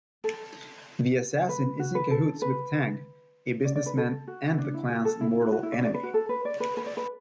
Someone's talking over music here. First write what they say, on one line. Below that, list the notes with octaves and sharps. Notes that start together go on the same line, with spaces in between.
The assassin is in cahoots with Tang, a businessman and the clan's mortal enemy.
A4
B4
F#4
B4
A4
B4
D5
D5
B4
A4
F#4
D4
E4
F#4
A4
E4
E4
F#4
F#4
E4
D5
D5
B4
F#4
A4
B4
D5
B4
B4
D5
B4